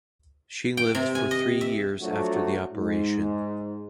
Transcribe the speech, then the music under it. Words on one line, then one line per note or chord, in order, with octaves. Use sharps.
She lived for three years after the operation.
G5
C3
G#5
D#5
E5
F3 F#3 A3 D4 F#4
G#2